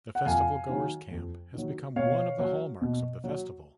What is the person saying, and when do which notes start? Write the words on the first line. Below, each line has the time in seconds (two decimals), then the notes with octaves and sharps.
The festivalgoers' camp has become one of the hallmarks of the festival.
0.15 F#5
0.26 F2 F5 G#5
0.69 D#3 F#3
1.11 F2
1.54 D#3 F#3
1.96 B2 C#5 F5
2.39 F#3
2.81 B2
3.24 F#3